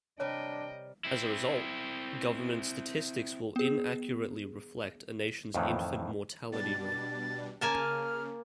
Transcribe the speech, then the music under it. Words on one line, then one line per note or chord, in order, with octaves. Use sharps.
As a result, government statistics will inaccurately reflect a nation's infant mortality rate.
C3 G3 D4 A#4 C#5 D#5 G5
C4 E4
B3 G#4
F2 A2 D#3 E3
B2 G3 D4 A6
C#3 A#3 G#5 A5 F6